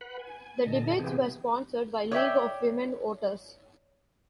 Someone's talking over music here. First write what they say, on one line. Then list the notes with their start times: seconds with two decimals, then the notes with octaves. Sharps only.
The debates were sponsored by League of Women Voters.
0.01 B4 F#5 B5
0.19 G#5
0.66 A#2 D3 D#5 A5
0.99 C3 E3 B3 C4 G4 G#4
2.11 C#5 D5 E5 G5